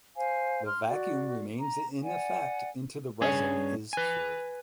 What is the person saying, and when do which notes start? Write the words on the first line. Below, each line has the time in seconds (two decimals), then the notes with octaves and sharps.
The vacuum remains in effect into the resin is cured.
0.16 C5 F5 G#5
0.65 C6 F6
0.88 F#4 D5
1.59 A#5
2.03 D5 F#5 G#5
3.21 G2 C#4 G#4 C#5 G#5
3.93 B4 G#5